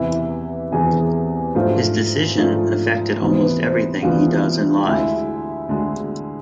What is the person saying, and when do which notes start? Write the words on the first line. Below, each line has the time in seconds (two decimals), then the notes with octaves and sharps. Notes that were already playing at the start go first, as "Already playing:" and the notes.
His decision affected almost everything he does in life.
Already playing: E2 C3 E3 E4 E5
0.72 E2 C3 E3 G#4 G#5
1.55 G#2 F3 A3 D4 F4 C5
2.38 G#2 F3 A3 D4 F4
3.21 D2 C3 E3 B3 D4 C5
3.41 B4
3.63 C5
4.03 D2 C3 E3 B3 D4 F4 F5
4.85 D2 D3 G#3 E4 E5
5.69 D2 D3 G#3